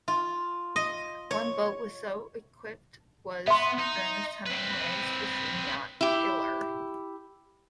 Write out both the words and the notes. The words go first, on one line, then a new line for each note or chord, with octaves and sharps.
One boat so equipped was Ernest Hemingway's fishing yacht "Pilar".
F4
D#5
C#5
B3 E5 C6
D#4
C4 B4
E4 G4